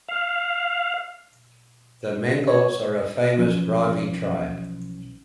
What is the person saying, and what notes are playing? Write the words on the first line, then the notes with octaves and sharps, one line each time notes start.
The Mengals are a famous Brahvi tribe.
F5
C#5
B1 E3 F3 C#4